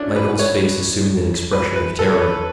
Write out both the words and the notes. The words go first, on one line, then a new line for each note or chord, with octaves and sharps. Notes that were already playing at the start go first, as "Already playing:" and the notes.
Michael's face assumed an expression of terror.
Already playing: B2 A3 C#4 D4
B4
C#5
B4
B4
A4
C#5
B4